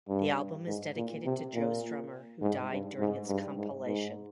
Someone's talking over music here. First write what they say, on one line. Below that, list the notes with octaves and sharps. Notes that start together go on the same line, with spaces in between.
The album is dedicated to Joe Strummer, who died during its compilation.
G2
G#2
A#2
C3
A#2
G#2
G2
G#2
G2
G#2
G#2